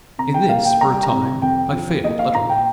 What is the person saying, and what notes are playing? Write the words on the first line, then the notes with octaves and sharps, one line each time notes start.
In this, for a time, I failed utterly.
C3 A#5
G5
A#3 F5
G5
G3 A#5
G5
A#5
C3
F2 G5
F3
A#3 D#5
F5
A#2 A#5
G5